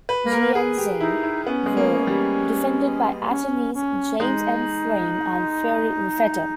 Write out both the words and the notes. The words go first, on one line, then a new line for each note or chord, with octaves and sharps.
Gee and Sing were defended by attorneys James M. Frame and Fiore Raffetto.
B4
A#3
A#4
G#4
G4
D#4 E4
E4
B3 C#4
G#3
A#3
G3
C#4
C#4
G#3 D#4